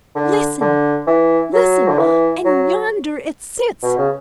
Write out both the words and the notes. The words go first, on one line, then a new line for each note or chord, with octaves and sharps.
"Listen, listen! and yonder it sits."
D3
D3
E3
F#3
D3
E3
F#3
B2
C#3